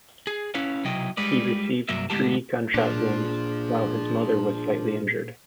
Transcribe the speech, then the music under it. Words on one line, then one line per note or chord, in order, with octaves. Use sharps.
He received three gunshot wounds while his mother was slightly injured.
G#4
C#4 E4 B4 C#5 F5
B1 C3 F#3 E4 D#5 G5
G3 G#3 B4 D5
C2 G2 F#3 A#3 E5
D2 A2 G#3 B3 G4 A5
A#2 F3 D4 G#4